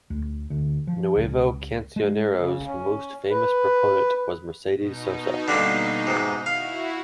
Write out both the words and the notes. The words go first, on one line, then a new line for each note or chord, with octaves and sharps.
Nuevo Cancionero's most famous proponent was Mercedes Sosa.
D2
D2
F3
C#2
G#3
C#3
C#4
B4
B2 D#4
D3 G3 A#3
G#2 C3
E4 F#4 F5